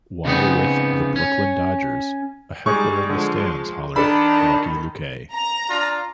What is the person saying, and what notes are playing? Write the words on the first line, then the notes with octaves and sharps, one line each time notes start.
While with the Brooklyn Dodgers, a heckler in the stands hollered Lucky Luque!
C#3 G3 G#3 B3 C4 D#4
C#4
G3 G#3 D#4 G#4 C#6
D3 F3 G#3
C6
D#3 D4 A4 B5
A#5
D4 F4